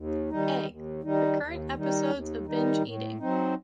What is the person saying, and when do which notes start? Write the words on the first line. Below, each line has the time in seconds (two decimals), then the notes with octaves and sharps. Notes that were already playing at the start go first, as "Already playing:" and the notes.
A. Recurrent episodes of binge eating.
Already playing: D#2
0.29 D#3 G3 D#4
0.65 D#2
1.02 D#3 G3 D#4
1.38 D#2
1.74 D#3 G3 D#4
2.10 D#2
2.46 D#3 G3 D#4
2.82 A2
3.19 F#3 C4 D#4